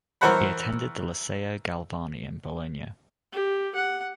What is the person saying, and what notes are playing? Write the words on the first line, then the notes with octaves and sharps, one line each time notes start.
He attended the Liceo Galvani in Bologna.
E3 A#4 C5 C#5 F#5 B5
G4
F#5